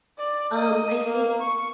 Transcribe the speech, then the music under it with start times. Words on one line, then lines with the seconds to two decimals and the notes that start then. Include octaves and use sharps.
Um, I think
0.18 D5
0.54 D#5
1.04 A#3
1.41 C#6